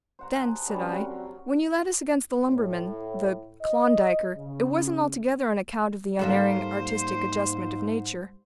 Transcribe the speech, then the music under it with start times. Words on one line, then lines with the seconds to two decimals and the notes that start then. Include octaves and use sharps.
"Then," said I, "when you led us against the lumberman--the--Klondiker --it wasn't altogether on account of the Unerring Artistic Adjustment of Nature?"
0.19 C5 F#5 A#5
0.35 F#5 G#5 A5
0.49 G#4
0.67 D3 G3 C#4 B4
0.80 F#3 C4 A4
0.94 F#4 A#4
2.48 A2
3.61 D#5
4.35 C#3
6.19 G#2 G3 A#3 A4 C5 F#5